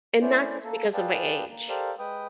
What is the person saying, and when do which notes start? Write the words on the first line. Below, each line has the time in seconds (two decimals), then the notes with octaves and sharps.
and not just because of my age.
0.21 A3 C#4 E4 C5 D5
0.64 A#3 A4
0.94 G#4 B4 D5 F5 G5 A5
1.50 A#3
1.69 G4 A4 A#4 C5 D5 F5
1.99 G#3 B4 G5 D#6